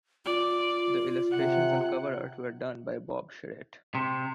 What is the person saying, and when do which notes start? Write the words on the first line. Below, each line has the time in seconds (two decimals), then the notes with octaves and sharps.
The illustrations and cover art were done by Bob Charrette.
0.25 F4 D5
1.31 C3 F#5
3.95 C3